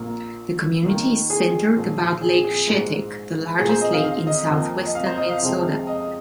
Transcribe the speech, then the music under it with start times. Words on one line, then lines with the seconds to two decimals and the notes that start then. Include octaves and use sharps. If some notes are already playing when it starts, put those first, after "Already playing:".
The community is centered about Lake Shetek, the largest lake in southwestern Minnesota.
Already playing: A#1 A#2 A#3
0.85 D#2 D#3 A#3
1.30 G#4
1.76 A#1 A#2 F3
2.21 G#4
2.44 G#4
2.67 A#1 G#2 G#3
3.58 A#1 A#2 A#3 G#4
3.69 C5
3.81 D#5
3.93 F5
4.04 F5
4.27 D#5
4.50 F2 F3 A#3
4.85 D#5
4.95 F5
5.07 C5
5.18 D#5
5.29 F5
5.41 F2 C3 F3 G#3 C4
5.87 D#5